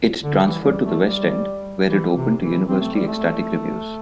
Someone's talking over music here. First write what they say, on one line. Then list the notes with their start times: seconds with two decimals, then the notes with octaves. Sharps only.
It transferred to the West End, where it opened to universally ecstatic reviews.
0.22 D3
0.44 E3
0.63 G3
0.84 A3
1.05 G3
1.87 E3
2.14 C3
2.41 E3
2.68 C4
2.81 A3
2.94 G3
3.07 A3